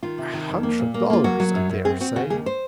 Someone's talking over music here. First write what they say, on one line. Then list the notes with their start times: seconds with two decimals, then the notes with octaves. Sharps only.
'A hundred dollars, I dare say.
0.03 D#3 F4
0.18 C3
0.34 D#3
0.49 F2
0.63 A#3
0.80 A#2
0.94 A#3
1.10 A#3 F4
1.24 F#3 F#4
1.40 F#3
1.55 F#2
1.69 F#2
1.85 C4 G#4
2.01 C4 F#4
2.16 C#3 F#4
2.30 D#2 G#4
2.46 C5